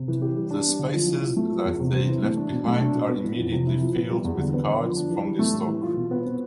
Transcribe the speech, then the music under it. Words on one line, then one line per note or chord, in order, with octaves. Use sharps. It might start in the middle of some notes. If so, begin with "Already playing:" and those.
The spaces that they left behind are immediately filled with cards from the stock.
Already playing: C3
E3
G4
G3
D4
B3
D3
F3
E4
F3
A3
F3
E2
C3
C4
E3
A3
D4
B2
A3
D4
B2
B3
E3
F2
C3
E4
F3
B3
G3
E2
D3
B3
D3
F3
D4
E3
G3
A3
A2
E3
F4
B2
B3
C4